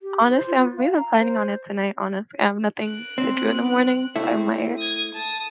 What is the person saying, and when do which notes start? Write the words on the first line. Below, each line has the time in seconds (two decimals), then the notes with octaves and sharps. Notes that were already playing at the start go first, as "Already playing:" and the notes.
honestly, I'm really planning on it tonight, honestly, I have nothing to do in the morning, so I might
0.02 G4
0.30 C5
0.47 F4
0.77 F5
0.94 A#5
1.19 C5
2.84 F#6 D7
3.18 C4
4.16 A3 C4 E4
4.78 D#6 G#6
5.14 A5 D#6